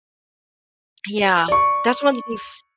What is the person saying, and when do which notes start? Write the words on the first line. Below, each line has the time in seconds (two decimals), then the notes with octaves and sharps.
Yeah, that's one of these
1.48 D5 C#6